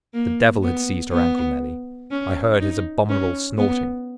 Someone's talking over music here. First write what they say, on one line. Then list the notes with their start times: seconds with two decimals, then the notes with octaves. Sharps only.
The devil had seized her ankle, Nelly: I heard his abominable snorting.
0.14 A#3
0.63 B3
1.12 B3
2.11 C#4
2.59 D#4
3.09 C#4
3.58 B3